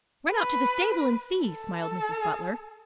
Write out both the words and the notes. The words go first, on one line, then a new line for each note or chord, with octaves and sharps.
"Run out to the stable and see," smiled Mrs. Butler.
B4
A4